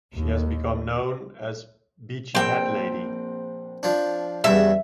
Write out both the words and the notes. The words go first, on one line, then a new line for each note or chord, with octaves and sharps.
She has become known as Beachy Head Lady.
D#2
A#1 C4 G5
F3 D4
E2 G2 C#3 E5